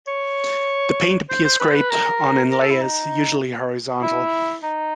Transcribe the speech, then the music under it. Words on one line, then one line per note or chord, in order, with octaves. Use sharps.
The paint appears scraped on in layers, usually horizontal.
C#5
C5
C5
B4
C5
B4
A#4
A#4
A4
E4
D#4
E4
D#4